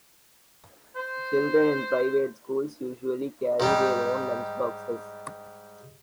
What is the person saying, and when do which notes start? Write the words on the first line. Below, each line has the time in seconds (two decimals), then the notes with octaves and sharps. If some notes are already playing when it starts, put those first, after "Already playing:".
Children in private schools usually carry their own lunch boxes.
0.96 C5
3.60 G#2 G3